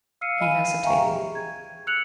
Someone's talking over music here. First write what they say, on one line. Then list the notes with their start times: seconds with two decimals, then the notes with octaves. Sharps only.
He hesitated.
0.21 F5 E6 F6 C7 C#7 D#7
0.40 D#5 F5 G#5 B5 F6 D#7
0.83 E5 F5 G5 G#5 A#5 C#6
1.02 G4 G#4
1.35 G#6
1.87 E6 F#6 C#7 F7 F#7